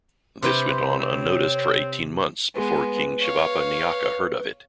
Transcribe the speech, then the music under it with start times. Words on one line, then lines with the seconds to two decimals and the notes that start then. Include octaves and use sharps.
This went on unnoticed for eighteen months before King Shivappa Nayaka heard of it.
0.42 C3 B4 C5 G5
0.99 C4 C#5
2.55 G#3 B3 B4
3.22 C#5 F5